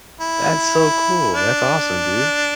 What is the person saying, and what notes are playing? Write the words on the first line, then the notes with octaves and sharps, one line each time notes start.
That's so cool. That's awesome, dude.
E4
D4